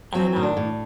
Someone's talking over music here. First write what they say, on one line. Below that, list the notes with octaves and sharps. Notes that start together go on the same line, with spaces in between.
And, um,
F#3 C4
A2
D4
A2